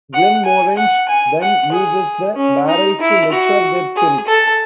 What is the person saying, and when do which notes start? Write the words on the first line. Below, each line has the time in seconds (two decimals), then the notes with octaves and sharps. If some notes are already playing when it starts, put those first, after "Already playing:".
Glenmorangie then uses the barrels to mature their spirit.
0.14 F#5
0.45 G#5
0.77 F#5
1.08 G#5
1.41 F#5
1.72 G#4
2.36 C#4
2.68 D#4
3.01 E4
3.33 F#4
3.96 G#4
4.27 A4